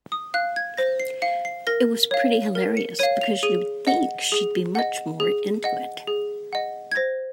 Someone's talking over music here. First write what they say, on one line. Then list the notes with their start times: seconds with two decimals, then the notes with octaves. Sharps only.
It was pretty hilarious because you would think that she would be much more into it.
0.12 D#6
0.34 F5 F#6
0.56 G#6
0.77 C5 A#6
1.00 C7
1.22 F5 C#7
1.45 C7
1.67 A#4 A#6
2.11 C#5 F5
2.55 A#4
2.77 C#7
2.99 C#5 F5 D#7
3.21 F7
3.43 G#4 D#7
3.87 D#5 F#5
4.32 G#4
4.75 D#5 F#5
5.20 G#4
5.64 D#5 F#5
6.07 G#4
6.53 D#5 F#5
6.92 G#6
6.96 C5 A#6